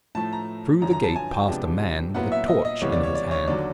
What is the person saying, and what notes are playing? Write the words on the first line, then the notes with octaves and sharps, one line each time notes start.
Through the gate passed a man with a torch in his hand.
A2 F3 A3 A5
A#5
F#2 D3 F3 A#5
A#5
A5
G#5
G5
C3 F3 G#3 B3 D4
A#2 F#3 B3 E4 F#5
E5
D#5
D#5
C#2 C3 E3 G3 B3 C#5
D5
C#5
D5
C#5
D#2 D3 F#3 D5